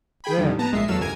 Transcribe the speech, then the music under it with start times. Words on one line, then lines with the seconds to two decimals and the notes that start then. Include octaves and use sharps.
'There now.
0.24 G#4 G5 G#5 B5
0.38 F2 D3 D#3 G3
0.59 B3 A5 A#5
0.72 A#1 G#3 E5 C7
0.88 E2 F#3 A4 F5 E6 E7
1.00 G1 C#2 A#4 G#5 G#6